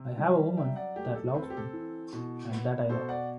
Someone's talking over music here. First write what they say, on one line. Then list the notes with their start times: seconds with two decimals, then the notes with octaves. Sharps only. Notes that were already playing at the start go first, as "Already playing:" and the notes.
I have a woman that loves me and that I love.
Already playing: C3
0.18 G3
0.57 F#2 E5 G5
0.76 D5 F#5
0.96 A3 G4
1.15 A4
1.34 C4 B4
1.43 A4
1.50 G4
1.57 A4
1.73 E3
2.13 B2
2.51 B3
2.89 B2 A4 C5
3.09 D5 F#5